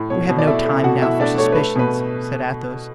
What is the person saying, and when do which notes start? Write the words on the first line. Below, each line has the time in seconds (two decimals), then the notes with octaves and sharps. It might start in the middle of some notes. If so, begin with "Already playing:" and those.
"We have no time now for suspicions," said Athos.
Already playing: A2
0.10 B2 C#5
0.29 B2
0.38 D5
0.47 A3 E4 E5
0.65 A3
0.83 B2 F#4 F#5
1.02 B2 E4 E5
1.20 A3 D4 D5
1.38 A3 C#5
1.52 A3 B4
1.76 B2 B4